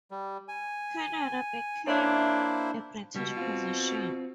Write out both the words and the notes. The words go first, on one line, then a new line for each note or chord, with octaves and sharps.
Canada became a British possession.
G3
G#5
A#3 D4 E4 C5 C#5 E5
C#2 B2 G3
C4 F4